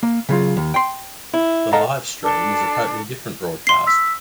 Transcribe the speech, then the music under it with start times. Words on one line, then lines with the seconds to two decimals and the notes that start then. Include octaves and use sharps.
The live stream is a totally different broadcast.
0.03 A#3
0.29 C#3 F#3 F4
0.57 D#2
0.74 G5 C6
1.34 E4
1.73 A4 D#5 F5 F#5 A#5
2.21 D4 A4
3.67 C6 C7
3.87 E6 B6